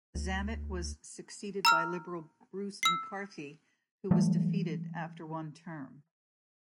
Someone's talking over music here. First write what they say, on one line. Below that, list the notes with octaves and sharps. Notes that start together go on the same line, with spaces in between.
Zammit was succeeded by Liberal Bruce MacCarthy, who was defeated after one term.
D2
A#5 E6 F6
E6 C7
E3 F#3 G3 A3